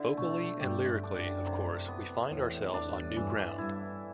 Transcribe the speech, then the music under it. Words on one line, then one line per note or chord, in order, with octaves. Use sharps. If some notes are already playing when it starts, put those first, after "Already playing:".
Vocally and lyrically, of course, we find ourselves on new ground.
Already playing: D3 E4
B2 A3
G2 G4
F#2 D4
C3
B3
E2 A2
E2 D4
G2 E3
G2 E4